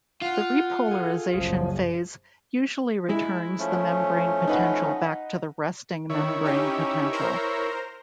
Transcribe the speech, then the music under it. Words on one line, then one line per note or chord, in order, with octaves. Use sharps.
The repolarization phase usually returns the membrane potential back to the resting membrane potential.
F4 F#5
G#4 A4
F#1 C2 F#2 F3 G#4
G#3 E4
F3 A3 C#4
D#4 B4 F#5
D#3 E4 C#5
C#4 D#4 G4
A#4 C5 A#5